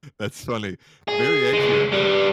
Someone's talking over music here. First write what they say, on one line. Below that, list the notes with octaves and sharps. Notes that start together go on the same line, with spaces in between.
That's funny. Very accurate, though.
G#4
C#2 G#3
G2 G3